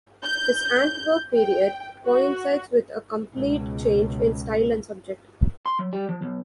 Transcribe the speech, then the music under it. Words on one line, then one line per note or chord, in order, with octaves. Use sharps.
His Antwerp period coincides with a complete change in style and subject.
G6
G5
F#4
C#2 B2
C6
F#3
G3
F3
B1